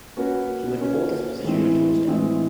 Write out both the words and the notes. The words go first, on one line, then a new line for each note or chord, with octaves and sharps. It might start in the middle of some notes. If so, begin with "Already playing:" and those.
He would hold this position until his death.
A#3 C#4 F#4 B4
A#3 C#4 F#4 B4
A2 E3 G#3 C4 E4
A2 E3 G#3 C4 E4